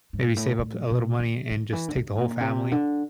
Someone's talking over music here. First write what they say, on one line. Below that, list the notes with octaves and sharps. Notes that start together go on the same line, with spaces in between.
Maybe save up a little money and just take the whole family.
G#2
A2
A2
B2
D#3
D#3
E3
D3
D#3
A#2
C3
D3